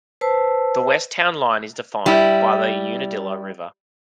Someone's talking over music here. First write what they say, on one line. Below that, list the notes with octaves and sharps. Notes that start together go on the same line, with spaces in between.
The west town line is defined by the Unadilla River.
B4 C5 A5 E6
G3 E4